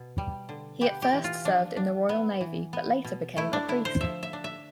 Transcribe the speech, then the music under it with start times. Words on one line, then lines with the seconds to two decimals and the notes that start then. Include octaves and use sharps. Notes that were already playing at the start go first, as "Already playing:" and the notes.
He at first served in the Royal Navy but later became a priest.
Already playing: B2
0.18 G3
0.49 D3
0.81 B3 G4
1.02 G4
1.13 E3
1.24 F4
1.45 F3 D4
1.77 D4
2.09 B3
2.41 E3
2.73 B3
3.04 B2
3.36 A3 E4
3.53 D4
3.68 D3 E4
3.85 C5
4.01 F3 E5
4.23 E5
4.33 D4
4.44 E5